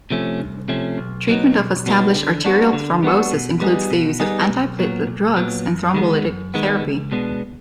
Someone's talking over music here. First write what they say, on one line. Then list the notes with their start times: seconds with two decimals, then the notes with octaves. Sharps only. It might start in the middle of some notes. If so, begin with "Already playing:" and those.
Treatment of established arterial thrombosis includes the use of antiplatelet drugs and thrombolytic therapy.
0.11 C3 F3 A3 C#4
0.40 C2
0.68 C3 F3 A3 C#4
0.98 B1
1.27 B2 F#3 B3 D#4
1.57 B1
1.86 B2 F#3 B3 D#4
2.15 D3
2.45 G3 B3 D4 F#4
2.73 D3
3.03 G3 B3 D4 F#4
3.32 B2
3.61 G3 B3 D#4 G#4
3.91 B2
4.20 G3 B3 D#4 G#4
4.49 B1
4.79 A#2 F#3 B3
5.07 B1
5.36 A#2 F#3 B3
5.65 F#2
5.94 D#3 G#3 B3
6.24 F#2
6.54 D#3 G#3 B3
6.82 C#2
7.12 B2 G#3 B3 D4